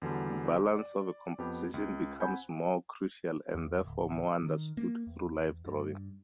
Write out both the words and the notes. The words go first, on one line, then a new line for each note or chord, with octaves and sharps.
Balance of a composition becomes more crucial and therefore more understood through life drawing.
E2 D3 F#3 G3
D5
F2 B3 G4
C#2
C4 F#5 G#5 B5 G6
E2
D1
D#3
A#3
E2
G2